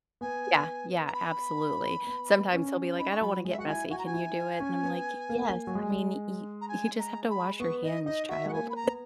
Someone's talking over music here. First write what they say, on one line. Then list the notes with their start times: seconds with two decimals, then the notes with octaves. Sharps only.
Yeah, yeah, absolutely. Sometimes he'll be like, "I don't wanna get messy. Can you do it?" And I'm like, "Yes. I mean, yo you just have to wash your hands, child."
0.21 B3 G#5
1.07 A#5
1.14 B5
2.07 B3
2.53 C#4
2.98 D#4 B5
3.10 C#6
3.21 F#3 B5
3.45 G#3
3.50 E5
3.58 F#4 F#5
3.67 E4 G#5
3.91 F#4 G#5
3.98 A#5
4.06 G#5
4.14 E4
4.60 C#4
4.83 B3
5.29 A#3
5.67 F#3
5.75 G#3
6.61 A#5
6.68 G#5
6.99 A#5
7.30 B5
7.60 B3 C#6
7.83 D#4 D#5
8.06 D#4 D#5
8.29 F#4 E5
8.45 G#3
8.48 F#5
8.53 A#3 G#5
8.70 B5
8.76 A#5
8.84 B3